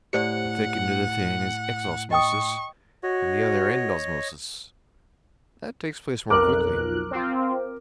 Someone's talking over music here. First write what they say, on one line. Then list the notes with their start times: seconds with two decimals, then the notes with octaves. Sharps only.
The thick into the thin is ex-osmosis, and the other end-osmosis. That takes place more quickly.
0.13 A2 G4 C5 D5 F#5 C#7
2.11 D#5 G5 C#6 D#6
3.03 F#4 C#5 D#5
6.30 B1 F2 A#4 D6 F#6
7.11 C4 F4